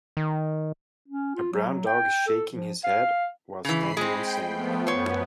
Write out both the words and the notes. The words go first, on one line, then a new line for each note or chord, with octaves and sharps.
A brown dog is shaking his head while standing on sand.
D#3
C#4
F4
F#3
G5
A4
F3
F5
C#3 E3 B5 C7
G#3 C4 G5
F3 A3 B3
F#2 B3 C5 C#5